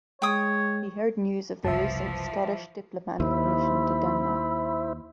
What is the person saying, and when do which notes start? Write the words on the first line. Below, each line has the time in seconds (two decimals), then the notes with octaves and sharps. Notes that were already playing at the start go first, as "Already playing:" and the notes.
He heard news of the recent Scottish diplomatic mission to Denmark.
0.22 G#3 C#5 G5 D#6
1.64 F#1 C2 E3 F3 E5 A5
3.20 D#2 E4 C5 E5 B5